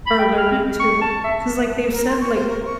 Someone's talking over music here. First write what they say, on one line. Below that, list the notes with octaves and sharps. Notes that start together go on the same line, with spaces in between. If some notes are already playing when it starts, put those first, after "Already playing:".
are allergic to, like 'cause, like, they've said, like
B5
G5
F6
C4
C4
C#6
A5
E5
A#4
C6
C#6
C5
A#4
C#6